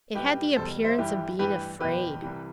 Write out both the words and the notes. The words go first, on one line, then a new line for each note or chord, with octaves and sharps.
It had the appearance of being afraid.
B1 A2 G3 G4 B4
F#1 E2 B2 G3 A4 C5
C5 E5
G1 G2 E3 G3 E4 G4
A1 G2 E3 G4 B4
F#1 E2 B2 G4 B4
C2 C3 E3 G3